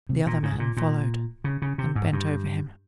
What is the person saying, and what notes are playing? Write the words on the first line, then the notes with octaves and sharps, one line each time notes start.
The other man followed, and bent over him.
C3
A#2
G#2
A#2
A#2
C#3
C#3
C3
G#2
G2